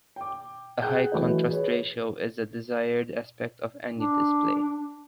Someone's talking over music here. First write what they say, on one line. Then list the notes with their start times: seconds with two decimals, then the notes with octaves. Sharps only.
A high contrast ratio is a desired aspect of any display.
0.16 G5 D6
0.82 G#4 F#5 G5 F#6 G6
1.12 E3 F#3 A3 B4 D#5
1.49 G#4 B4 C#5
3.97 D4